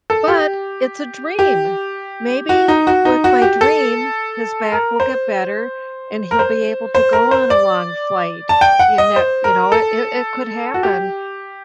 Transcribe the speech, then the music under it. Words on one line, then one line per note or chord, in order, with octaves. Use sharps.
but it's a dream! Maybe with my dream, his back will get better, and he'll be able to go on a long flight. You ne you know, it it could happen.
A4
G4
G4
F#4
D#4
F#4
D#4
F#4
G4
A4
A#4
C5
A#4
C5
C5
A#4
C5
D5
A5
G5
F#5
D#5
C5
A#4
A4
F#4
G4